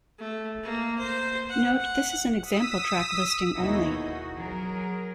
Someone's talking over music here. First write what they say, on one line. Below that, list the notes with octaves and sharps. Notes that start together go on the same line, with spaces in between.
Note, this is an example track listing only.
A3
A#3
C5
F#5
F#5
D#6 E6 B6
D#2 B2 D#4 E4 F#4 G#4
F#4
F#3 G#4 A#4